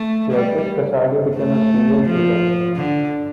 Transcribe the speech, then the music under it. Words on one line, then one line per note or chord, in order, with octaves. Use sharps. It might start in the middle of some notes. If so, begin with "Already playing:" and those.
Cletus Kasady became a serial killer.
Already playing: A3
G3
A3
F3
D3